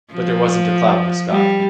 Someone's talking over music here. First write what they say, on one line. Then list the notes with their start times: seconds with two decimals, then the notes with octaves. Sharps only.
but there wasn't a cloud in the sky
0.12 F3
1.31 G3